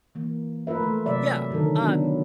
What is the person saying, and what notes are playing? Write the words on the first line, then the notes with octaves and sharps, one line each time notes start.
Yeah, um
E3 A#3
A3 F4 A#4 B4 E5
F3 G#3 A3
C3 F#3 D5 E5
D3 D#3 F#3 A4 A#4
D#3 F3 F#3 B3 D4